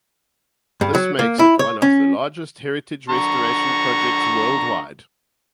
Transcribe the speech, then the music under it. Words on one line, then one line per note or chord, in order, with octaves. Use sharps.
This makes it one of the largest heritage restoration projects worldwide.
G2
F#3
A#3
E4
C#5
C#4
D3 A#5 C#6